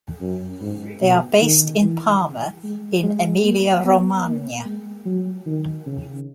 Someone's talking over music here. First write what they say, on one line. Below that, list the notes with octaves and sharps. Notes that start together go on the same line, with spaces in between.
They are based in Parma in Emilia-Romagna.
F#2
G#2
B2
D#3
E3
G#3
G#3
A#3
B3
A#3
G#3
F#3
D#3
C#3